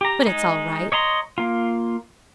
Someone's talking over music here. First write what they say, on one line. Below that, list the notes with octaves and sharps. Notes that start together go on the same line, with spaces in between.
But it's all right.
G4 A#5
G#3 D#4
C#5 D#5 A#5 C6
A#3 F4